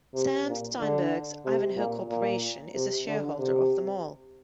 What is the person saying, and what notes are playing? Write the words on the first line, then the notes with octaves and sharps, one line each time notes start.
Sam Steinberg's Ivanhoe Corporation is a shareholder of the mall.
C3
A#2
D3
C3
A#2
A#2
C3
D3
C3